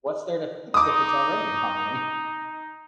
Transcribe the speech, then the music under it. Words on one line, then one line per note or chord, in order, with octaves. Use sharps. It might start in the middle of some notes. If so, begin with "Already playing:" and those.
What's there to fix, if it's already in harmony?
D#4 D6 D#6